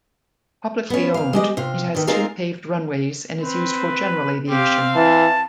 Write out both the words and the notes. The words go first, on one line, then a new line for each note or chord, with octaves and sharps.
Publicly owned, it has two paved runways and is used for general aviation.
B3 C#4
E2 F5
G#3 G4 D#5
C3 F4
E2 D#3
C4 D#4 F4 G#4 A#4 C5
C4 B4
C4 G4 F5
E3 A5